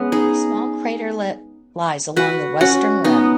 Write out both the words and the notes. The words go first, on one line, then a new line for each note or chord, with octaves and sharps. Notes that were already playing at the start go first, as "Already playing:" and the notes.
A small craterlet lies along the western rim.
Already playing: G#3 B3 C#4
D#4 G#4
F#4 B4
C#4 F#4
B3 D#4